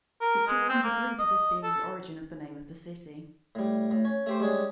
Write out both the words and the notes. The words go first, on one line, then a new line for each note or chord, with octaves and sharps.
Historians agree to this being the origin of the name of the city.
A#4
G#3
C4
A#3
D#5
A4
A2 G3
A2
C#4
A3 G4 C5
G3 G#3 C#4 D4